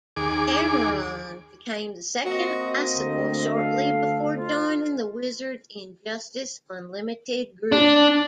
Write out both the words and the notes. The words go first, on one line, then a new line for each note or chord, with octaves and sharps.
Cameron became the second Icicle shortly before joining the Wizard's Injustice Unlimited group.
D#2 G#4 D6
A#3 C4 F#4 D#5
D2
A4 F5
F2 F4
D4